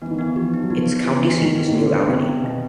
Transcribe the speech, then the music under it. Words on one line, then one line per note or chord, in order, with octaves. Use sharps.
Its county seat is New Albany.
E3 B3
D#3
E3 B3
F3 G4
D#4
F#3
F3 B3
B3
E3 G4
D#4
E3
D#3 B3
B3
D#3
D3 G4
D#4
C3 B3
B3
B2 G4